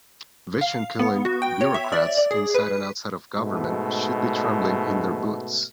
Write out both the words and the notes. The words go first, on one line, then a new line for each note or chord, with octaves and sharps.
Vision-killing bureaucrats inside and outside of government should be trembling in their boots.
F5
B3
F#4
G5
C#5
E5
D5
D5
G#4
B4
G#2 B2 A3